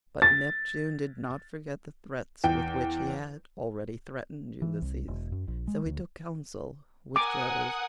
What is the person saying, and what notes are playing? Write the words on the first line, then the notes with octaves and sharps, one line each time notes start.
But Neptune did not forget the threats with which he had already threatened Ulysses, so he took counsel with Jove.
A6
E2 G5
E3
C2
E1
F#2
A#1
G#3
D2
A#4 F#5 G#5 D6 D#6